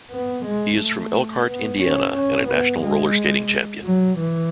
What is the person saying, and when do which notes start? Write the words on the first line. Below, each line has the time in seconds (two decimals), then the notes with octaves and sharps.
He is from Elkhart, Indiana and a national roller skating champion.
0.11 B3
0.45 G#3
0.79 A3
1.47 B3
1.81 C#4
2.15 C#4
2.48 B3
2.83 G#3
3.84 F#3
4.18 E3